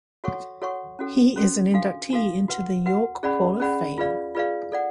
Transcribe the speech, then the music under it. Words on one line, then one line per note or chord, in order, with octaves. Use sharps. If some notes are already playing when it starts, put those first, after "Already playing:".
He is an inductee into the York Hall Of Fame.
F#4 A4 C#5 F#5 C#6
F#4 A4 C#5 F#5 C#6
C#4 F#4 A4
C#4 F#4 A4
D4 F#4 A4 F5
D4 F#4 A4 F5
F#4 B4 F#5
F#4 B4 F#5
C#4 G#4 D5 F#5 B5
C#4 G#4 D5 F#5 B5
F4 G#4 B4 D5 F5
F4 G#4 B4 D5 F5
A4 D5 F#5